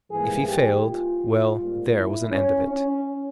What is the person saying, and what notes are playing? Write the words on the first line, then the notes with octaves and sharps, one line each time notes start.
If he failed--well, there was an end of it.
G#2 E3 G3 A#3 G#4
G4
F4
G#2 G3 A#3
E4
C#4
C#4